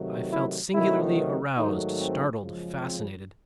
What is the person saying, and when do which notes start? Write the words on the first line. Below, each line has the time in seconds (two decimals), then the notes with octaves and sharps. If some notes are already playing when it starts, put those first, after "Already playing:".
I felt singularly aroused, startled, fascinated.
Already playing: C3 D#3 F#3 A3
0.32 E4
0.73 C3 D#3 F#3 A3 E4
1.57 G#2 D#3 F#3 A3 D#4
1.99 C4
2.41 F#2 C#3 F3 G#3
2.82 C4